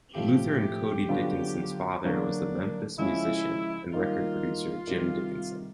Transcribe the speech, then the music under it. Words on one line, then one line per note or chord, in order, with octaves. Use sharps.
Luther and Cody Dickinson's father was the Memphis musician and record producer Jim Dickinson.
A2 F3 A3 G4
D3 F#3 B3 D4 F4
D3 F#3 A#3 D4
C#3 F3 G#3 C#4 E4
D#3 G3 A#3 D#4 F4
C3 D#3 G3